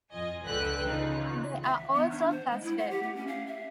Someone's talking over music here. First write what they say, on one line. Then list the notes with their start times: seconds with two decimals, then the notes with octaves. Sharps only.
They are also clustered.
0.12 F2 F4 D#5 G#5
0.45 C#2 D3 A4 B4 G5 F#6
0.84 C#3 D#4 F4
1.65 E5
1.94 B3
2.11 D4
2.31 C5
2.51 G#3
2.62 E4
2.78 F#5
2.91 G4
3.03 A3
3.15 C#4
3.27 F5
3.47 E5